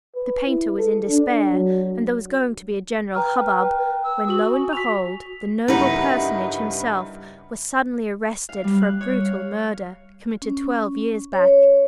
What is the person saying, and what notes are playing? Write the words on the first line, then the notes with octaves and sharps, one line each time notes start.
The painter was in despair, and there was going to be a general hubbub, when, lo and behold the 'noble' personage himself was suddenly arrested for a brutal murder committed twelve years back.
B4
E4
A4
D4
F#3
B4 G5 A#5 F6
G5
E6
F#4 D#6 F#7
G#5
B6 F7
G2 C#3 G3 D#4 E4 A#4 B4 F#5
F5
G3
F#6
C#5
F5
C#4
C#5